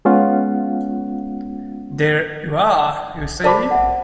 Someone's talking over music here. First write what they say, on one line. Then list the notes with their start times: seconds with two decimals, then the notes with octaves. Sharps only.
There you are, you see!
0.05 G#3 B3 C#4 F4 F5 F#5
3.44 A#4 C5 D5 A5 B5 D6
3.71 E5 F#5